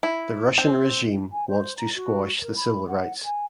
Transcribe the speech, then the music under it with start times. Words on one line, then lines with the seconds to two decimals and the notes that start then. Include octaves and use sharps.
The Russian regime wants to squash the civil rights.
0.03 E4
0.58 C4
1.32 G#5
1.48 C5
1.77 A#5
1.95 F#4
2.42 A#4
2.56 B5
2.88 F#5
3.25 G#5